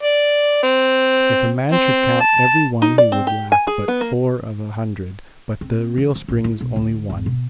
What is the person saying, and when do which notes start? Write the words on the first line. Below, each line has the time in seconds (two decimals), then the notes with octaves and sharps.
If a man should count every one he would lack but four of a hundred, but the real spring is only one.
0.03 D5
0.63 C4
1.72 C4
2.21 A5
2.82 D#4
2.98 D5
3.12 C4
3.27 G4
3.52 G#5
3.67 G#4
3.88 B3
4.01 A#3
5.61 C4
5.98 E3
6.15 F3
6.28 A1
6.44 E4
6.61 B1
6.76 D2
7.10 G#1
7.26 B2